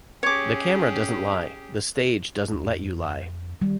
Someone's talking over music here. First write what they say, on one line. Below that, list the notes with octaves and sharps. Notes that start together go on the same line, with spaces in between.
The camera doesn't lie, the stage doesn't let you lie.
C#4 G4 G#4 C#5 D6
D#2
F2
D#3 G3